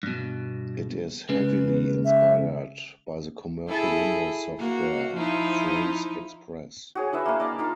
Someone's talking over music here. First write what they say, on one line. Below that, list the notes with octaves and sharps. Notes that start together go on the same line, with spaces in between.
It is heavily inspired by the commercial Windows software 'PhraseExpress'.
G2 B2
C#3 G#3 B4
E5
E4 G#4 A4
A#3 F#4
F3 D#4 E4
F#4 G#4 C#5
D4 E4 B4 E5
A#3 F5
D5 D#5 A5 B5
D#4 F4 A#4 A5